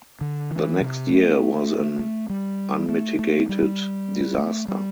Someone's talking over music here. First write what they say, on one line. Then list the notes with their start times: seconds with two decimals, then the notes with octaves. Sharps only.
The next year was an unmitigated disaster.
0.21 D3
0.51 E3
0.81 C3
1.10 A3
1.99 A3
2.30 G3
2.89 A3
3.19 A3
3.49 G3
4.38 A3
4.68 G3